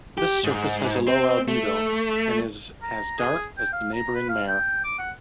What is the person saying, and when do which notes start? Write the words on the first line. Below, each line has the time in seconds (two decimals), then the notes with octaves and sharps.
This surface has a low albedo, and is as dark as the neighboring mare.
0.18 G4
0.44 G#2
1.07 C4
1.48 A3
2.82 A#5
3.19 G#4
3.57 G5
3.73 F5
3.93 A#5
4.15 B4
4.29 F5
4.48 G5
4.84 D6
4.99 F#5